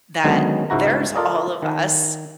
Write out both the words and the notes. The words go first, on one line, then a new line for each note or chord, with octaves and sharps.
that there's all of us
D3 D#3 F#3 G#3 B3 C#4
C#2 G#2 E4 F#4 A#5
F4 A4 A#4 D5 D#5
D#3